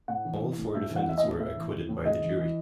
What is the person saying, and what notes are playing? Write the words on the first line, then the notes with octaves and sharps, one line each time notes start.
All four defendants were acquitted by the jury.
A2 F#5
E3
E3
A2
A2 E5
E3
F#5
E3 E5
D#5
A2
A2 E5
E3
E3
A2
G#2 D#5
E3
E3